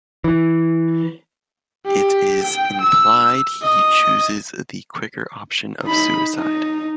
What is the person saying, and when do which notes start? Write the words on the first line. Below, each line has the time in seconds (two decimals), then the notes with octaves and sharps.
It is implied he chooses the quicker option of suicide.
0.24 E3
1.86 G4
2.43 G5
2.80 E6
3.62 D#5
5.83 D#4 B5
6.35 D#4